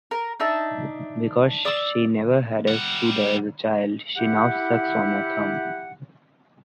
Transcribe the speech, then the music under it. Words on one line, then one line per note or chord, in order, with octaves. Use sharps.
Because she never had a soother as a child, she now sucks on her thumb.
A#4 A#5
D4 D#4 E5 A5
D5 D#6 E6
G3 F#5
E4 G4 F#5